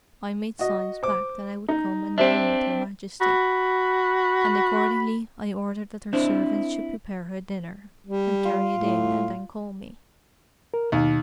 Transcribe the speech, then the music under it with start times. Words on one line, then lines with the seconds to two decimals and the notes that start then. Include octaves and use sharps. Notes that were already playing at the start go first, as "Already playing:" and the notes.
I made signs back that I would come and dine with her majesty; and accordingly I ordered that her servants should prepare her dinner, and carry it in, and then call me.
0.59 F#4 D#5
1.03 C5 D6
1.69 D#4
2.18 C4 D4 G4 C5 E5
3.21 F#4 B5
6.13 C4 D4 E4 C5
8.07 G3
8.45 F4
8.76 A2
10.74 A#4
10.92 D#2 B2